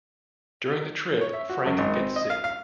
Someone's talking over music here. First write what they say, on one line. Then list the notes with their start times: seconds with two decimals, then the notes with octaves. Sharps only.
During the trip, Frank gets sick.
1.21 C#5
1.33 E5
1.49 F#4
1.66 F#2
1.78 G#1
1.95 C4
2.16 D#5
2.30 F5
2.44 F5